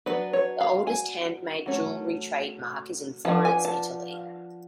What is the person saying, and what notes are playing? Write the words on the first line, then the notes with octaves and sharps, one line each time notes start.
The oldest handmade jewelry trademark is in Florence, Italy.
F#3 B3 D4 B4
C#5
F5
G#5
F#3 A3 C#4
F3 B3 D4 A5
G#5
A5